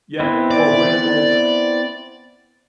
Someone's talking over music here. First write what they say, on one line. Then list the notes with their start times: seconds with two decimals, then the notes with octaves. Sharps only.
yeah, or when or
0.20 B3 C4 E4
0.51 D5